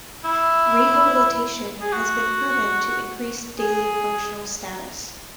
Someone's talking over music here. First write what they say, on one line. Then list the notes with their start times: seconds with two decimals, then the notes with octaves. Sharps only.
Rehabilitation has been proven to increase daily functional status.
0.25 E4
1.81 G#4
1.92 F#4
3.60 G#4